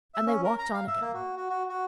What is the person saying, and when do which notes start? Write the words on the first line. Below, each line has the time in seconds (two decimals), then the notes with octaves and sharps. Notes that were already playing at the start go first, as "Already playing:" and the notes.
And they walked on again.
0.14 E5
0.26 C#4
0.44 A#4
0.59 A#5
0.74 F5
0.87 E5
1.01 A#3
1.14 F#4
1.37 F#4
1.50 F#4
1.69 F#4